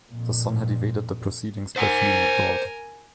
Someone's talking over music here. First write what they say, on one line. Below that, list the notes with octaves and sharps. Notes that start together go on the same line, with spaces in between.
The son had evaded the proceedings by fleeing abroad.
F2 A#2
A#4 C5 F#5 G#5